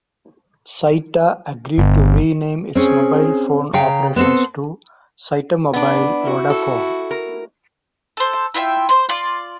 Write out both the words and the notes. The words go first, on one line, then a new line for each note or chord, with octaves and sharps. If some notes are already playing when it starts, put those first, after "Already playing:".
Cyta agreed to rename its mobile phone operations to Cytamobile-Vodafone.
G1
C4 C#4 G#4
C#3 F5 G5 A#5
B3 C4 A4 C6
B3 D4
E4 F#4
A4
A#4
A4 C5
E4 F4 E5 G5
C5 C6
F4 D5 F5